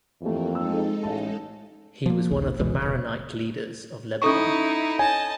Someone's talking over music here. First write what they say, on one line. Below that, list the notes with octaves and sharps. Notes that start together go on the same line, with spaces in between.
He was one of the Maronite leaders of Lebanon.
F2 E3 G3 A3 A#3
G#3 D#4 A4 E6
A1 F5 A5
F3 A#3
A#1 D#2
G1 C#2 E3 G#3
E1 B2
C#4 D#4 E4 A4 C#6
C#5 D#5 G#5 A5